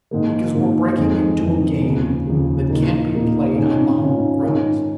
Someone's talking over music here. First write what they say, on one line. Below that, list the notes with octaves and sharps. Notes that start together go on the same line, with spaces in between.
Because we're breaking into a game that can't be played on the home grounds.
G#2 D#3 A#3
G#2 D#3 A#3
F2 D#3 G#3 D#4
F2 D#3 G#3 D#4
D#2 C#3 F3
D#2 C#3 F3
A#2 A#3 D#4
A#2 A#3 D#4
G#2 D#3 C#4 F4
G#2 D#3 C#4 F4
G#2 D#3 C#4 A#4